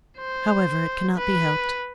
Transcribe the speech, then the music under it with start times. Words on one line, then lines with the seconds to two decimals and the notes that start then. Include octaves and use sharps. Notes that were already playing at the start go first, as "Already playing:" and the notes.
However, it cannot be helped.
0.18 C5
1.17 B4